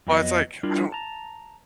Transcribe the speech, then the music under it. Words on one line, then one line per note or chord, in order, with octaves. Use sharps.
Well, it's, like, I don't
F2 F#3 B3 D#5
G3 D4 E4 F4 A#4
A5 A#5